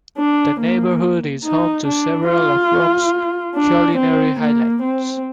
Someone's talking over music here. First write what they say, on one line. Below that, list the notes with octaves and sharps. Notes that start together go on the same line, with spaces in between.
The neighborhood is home to several of Rome's culinary highlights.
D4
A#3
D#4
D4
F4
D4
C4
A#3
C4